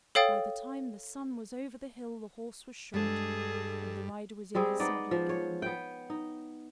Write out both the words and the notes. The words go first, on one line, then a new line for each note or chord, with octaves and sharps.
By the time the sun was over the hill the horse was shod, and the rider was in his saddle again.
A4 C#5 F5 G5 D#6 A6
G2 G#3 D4 G#4 A4 A5
G3 G#3 C4 G#4
G#3 B3 D#4 D5
F3
C#5
B3 G5
D#4